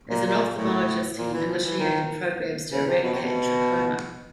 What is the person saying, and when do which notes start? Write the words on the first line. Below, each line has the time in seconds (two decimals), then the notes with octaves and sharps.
As an ophthalmologist, he initiated programs to eradicate trachoma.
0.10 A#2
0.25 A#2
0.56 A2
1.17 A#2
1.33 E3
1.49 F3
1.64 E3
1.79 D#3
2.72 C#3
2.87 C3
3.03 B2
3.13 C3
3.23 B2